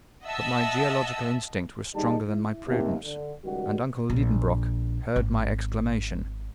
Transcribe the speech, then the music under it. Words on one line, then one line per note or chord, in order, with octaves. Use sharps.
But my geological instinct was stronger than my prudence, and uncle Liedenbrock heard my exclamation.
D#5 E5 F#5 A5 E6
D#2 G3 D#4 G#4 D#5 A5
E4
D#2 C3
D3
C#2 D#3 G3 F#4
A#1
G#1